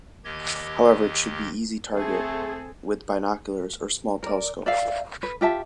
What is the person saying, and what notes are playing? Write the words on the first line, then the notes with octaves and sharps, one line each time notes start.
However, it should be easy target with binoculars or small telescope.
D#2 D#3 G4 D#5 G#6
A3 C4 G#4 A4
A#4 D5
D5 E5 F5
B4
F4 G4 E5 A5